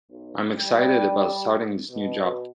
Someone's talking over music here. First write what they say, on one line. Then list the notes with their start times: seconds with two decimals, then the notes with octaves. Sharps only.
I'm excited about starting this new job.
0.11 B1
0.52 G3
1.90 B2